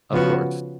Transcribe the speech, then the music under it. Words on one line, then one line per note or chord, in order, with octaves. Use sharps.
Of course.
C#3 F3 B3 F#4